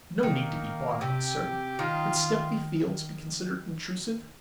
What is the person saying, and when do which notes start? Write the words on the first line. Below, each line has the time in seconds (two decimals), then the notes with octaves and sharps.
No need to be bought out, sir. Would Stepney Fields be considered intrusive?
0.23 D#3 A#3
1.01 C3 G4
1.79 D#3 F4